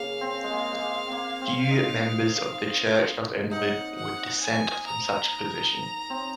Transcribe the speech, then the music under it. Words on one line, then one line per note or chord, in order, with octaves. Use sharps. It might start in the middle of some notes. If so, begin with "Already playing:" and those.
Few members of the Church of England would dissent from such a position.
Already playing: C#3 A#3 F5
C4
G#3
A#3
G#3
A#3
A#3 C4
C4
D#4
D#4 F#5
F#5
G#5
A#5
C4